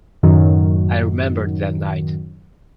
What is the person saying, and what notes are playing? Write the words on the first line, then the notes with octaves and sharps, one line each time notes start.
I remember that night.
F#2 A2 D#3 F#3